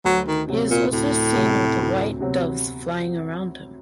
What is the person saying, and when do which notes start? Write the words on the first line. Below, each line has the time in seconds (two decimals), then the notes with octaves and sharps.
He is also seen with white doves flying around him.
0.05 D2 F#3
0.27 D#3
0.48 C3 F#3 C4
0.70 A#2
0.92 D2 A2
1.35 C3 F#3 C4
1.78 D2
2.20 C3 F#3 C4